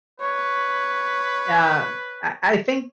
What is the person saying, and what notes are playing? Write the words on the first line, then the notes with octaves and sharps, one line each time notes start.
Um, I I think
B4 C#5